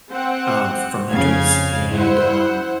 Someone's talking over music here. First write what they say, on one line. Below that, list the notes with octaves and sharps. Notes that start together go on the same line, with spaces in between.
um, from injuries and, um,
C4 F#5
F2 C#3 F5 G#6
E4 C5 F#5